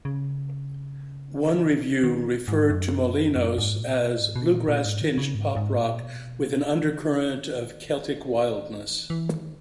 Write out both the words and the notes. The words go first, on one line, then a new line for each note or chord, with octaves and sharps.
One review referred to "Molinos" as "bluegrass-tinged pop-rock" with an "undercurrent of Celtic wildness".
C#3
D#3
G#2
F#2
F#2
G#2
A#2
B2
G#2
B2
A#2
A#2
G#2
D#3
C#3
G#2
G#2
A#2
B2
C#3
B2
C#3
D#3
E3
D#3
E3
E3
D#3